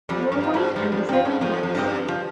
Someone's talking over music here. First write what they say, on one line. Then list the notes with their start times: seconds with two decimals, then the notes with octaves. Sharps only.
Snow White and the Seven Dwarfs.
0.09 F2 G3
0.32 G2
0.43 C4 F4
0.54 G#2
0.76 G2 G3
0.92 F2
1.09 G2 C4 F4
1.25 G#2
1.41 F2 F3
1.63 F2
1.75 G2 G#3 C4 D#4
2.08 F3